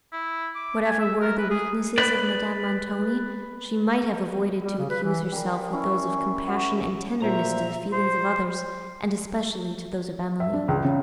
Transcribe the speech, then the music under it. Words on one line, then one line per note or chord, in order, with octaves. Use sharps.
Whatever were the weaknesses of Madame Montoni, she might have avoided to accuse herself with those of compassion and tenderness to the feelings of others, and especially to those of Emily.
E4
D6
G#5
E5
A#4
B4
G#4
B4 D5
G3
C#3
B4
E3
G3 G#4 A#4
C#4 E4
F#3
A#2 C5 E5 A#5
C5
E5
D4
C#2
C#3